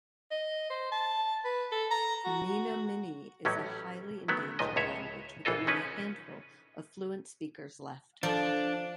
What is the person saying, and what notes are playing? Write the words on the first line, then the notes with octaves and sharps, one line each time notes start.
Menominee is a highly endangered language, with only a handful of fluent speakers left.
D#5
C5
A5
B4
A4
A#5
F#4
A1 A2 F#3 G3 C#4
D#3 F#3 A3 B3
C#2 A#2 D#3 F3 D#5
C#2 A2 C#5 E5
A#1 E3 F4 A4 D#5
C#3 F3 C#4 D#4 B4
F3 D4